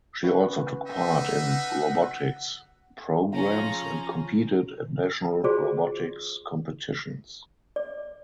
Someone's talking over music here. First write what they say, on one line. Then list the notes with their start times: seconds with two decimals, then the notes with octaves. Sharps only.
She also took part in robotics programmes and competed at national robotics competitions.
0.24 C#4 F#4 B4
0.87 D#4 E5 F#5
3.33 F3 C#4 F4 G#4 A#5
5.44 F4 F#4 G#4 C5 D5
7.76 D5